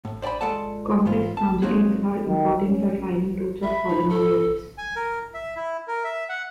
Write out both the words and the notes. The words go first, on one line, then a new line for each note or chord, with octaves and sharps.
Complex conjugates are important for finding roots of polynomials.
A2
C5 D5 G5 G#5 B5
G#3 F4 A4 D5 F#5 A5
G#2 E3 F4
A5
F#3 A#3 C4 D#4 F#4 G#4
D#3
C#4
E5 B5
D#4
A4
G#5
A#4
E5
E4
A#4
E5
F#5